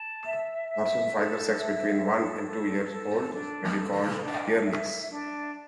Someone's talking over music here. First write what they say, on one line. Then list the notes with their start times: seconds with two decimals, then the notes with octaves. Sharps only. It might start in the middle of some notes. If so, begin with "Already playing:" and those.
Horses of either sex between one and two years old may be called yearlings.
Already playing: A5
0.26 E5
0.69 E5
1.14 A4
1.58 E5
2.01 A4
2.46 A4
2.89 A4
3.33 D4
3.77 A4
4.21 D4
4.65 E5
5.10 D4